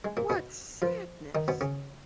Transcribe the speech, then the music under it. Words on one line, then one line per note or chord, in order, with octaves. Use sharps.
what sadness.
G#3
A#2 A#3
B2 B3
F3 F4
D#3 D#4
B2 B3
C#3 C#4